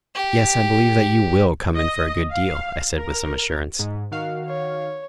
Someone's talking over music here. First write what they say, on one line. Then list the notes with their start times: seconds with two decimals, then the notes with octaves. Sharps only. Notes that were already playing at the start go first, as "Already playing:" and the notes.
"Yes, I believe that you WILL come in for a good deal," I said with some assurance.
0.15 G4
1.76 D#5
2.31 F5
2.94 A#4
3.79 G#2
4.12 D#3 F#4 A#4 F5
4.45 C#5